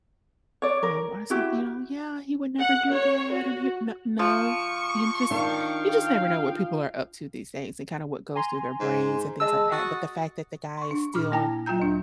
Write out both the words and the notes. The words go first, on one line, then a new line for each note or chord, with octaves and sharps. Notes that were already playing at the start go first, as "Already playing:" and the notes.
um, are so, you know, "Yeah, he would never do that, and he "N no, you just you just never know what people are up to these days and kinda what goes through their brains and things like that, but the fact that the guy is still
C#5 D5
A#4
E4 F#4 G4
F#5
C#5
F#4
F3 C#6
D#3 D4 D#4 F5 G5
G#5 A#5 C6
G#2
G#3 D#5 A5 E6
F#4 D#6 A6
C6 C#6
D4
A#2 D6 F6
A#3 E4 G5 A5 A#5 A#6
F#3 F4 G5 A#5 G6
D2 D4